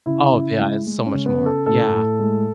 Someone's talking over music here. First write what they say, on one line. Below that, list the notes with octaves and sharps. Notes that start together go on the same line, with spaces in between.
Oh, yeah, it's so much more, yeah.
C#3 E4
C#3
G#3
G#3
C#4
C#3
B3
C#3
A4
A2 A4
A2
G#3